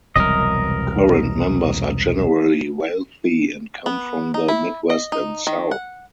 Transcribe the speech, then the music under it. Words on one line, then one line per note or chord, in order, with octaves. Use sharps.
Current members are generally wealthy and come from the Midwest and South.
E1 C2 F#3 A#4 D#5
B3
D#4
E4
D#5
D#4
D#3
F#5